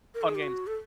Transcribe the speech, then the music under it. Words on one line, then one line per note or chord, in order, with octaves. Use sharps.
Fun games.
A#4
A4
G#4
G4
F#4
A4